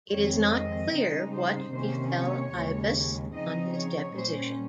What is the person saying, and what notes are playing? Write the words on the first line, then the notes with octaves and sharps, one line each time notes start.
It is not clear what befell Ibas on his deposition.
F2 D#3 G#3 C4 C#5
D#5
C#3 G3 C4 D#4
C5
C3 D#3 A#3 C#4 C5
C#5
D#2 C#3 G#3
C#3 F3 C4 D#4 D#5
C#5
A#2 G3 C#4 C5